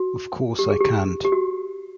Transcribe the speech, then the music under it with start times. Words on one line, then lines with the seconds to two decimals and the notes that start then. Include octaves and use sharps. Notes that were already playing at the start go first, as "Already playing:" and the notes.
Of course I can't.
Already playing: F#4
0.59 G4
0.69 G#4
0.81 G4
1.25 G4
1.32 F#4